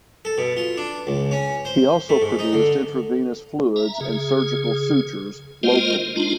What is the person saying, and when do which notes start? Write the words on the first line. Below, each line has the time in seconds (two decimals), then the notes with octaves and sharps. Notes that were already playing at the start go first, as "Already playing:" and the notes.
He also produced intravenous fluids and surgical sutures locally.
0.25 A4
0.38 B2
0.57 F4
0.77 D4
1.07 C#2
1.31 C#4
1.65 C5
2.09 A3
2.22 G#2
2.39 D#4
2.53 D3
3.76 E5 A#5
4.01 C#3 G#4
5.63 G#3 A#3 F4 A#4 C5 D#5
6.16 G#3 D4 D#4 F4